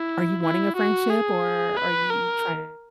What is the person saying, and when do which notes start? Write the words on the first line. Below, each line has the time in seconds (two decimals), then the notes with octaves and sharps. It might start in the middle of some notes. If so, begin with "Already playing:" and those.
are you wanting a friendship, or are you try
Already playing: E4
0.43 E4
0.77 F#4
1.10 G#4
1.77 B4
2.10 A#4